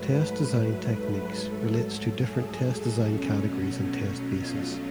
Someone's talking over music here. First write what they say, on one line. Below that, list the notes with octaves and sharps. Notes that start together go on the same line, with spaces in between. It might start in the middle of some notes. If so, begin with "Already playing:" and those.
Test design techniques relates to different test design categories and test basis.
Already playing: G#2 F#3 A3 B4
G#2 F#3 A3 A4
A4
G#4
B2 F#3 A3 C#4
F4